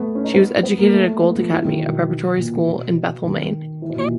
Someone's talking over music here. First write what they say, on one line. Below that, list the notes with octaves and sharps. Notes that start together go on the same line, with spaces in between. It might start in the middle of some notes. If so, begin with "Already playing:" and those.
She was educated at Gould Academy, a preparatory school in Bethel, Maine.
Already playing: A3 B3
C#4
D#4
B3
B3
A#3
A3
B3
F3
E3
D#3
B2
A#2
B2
D#3
E3
B2
A#2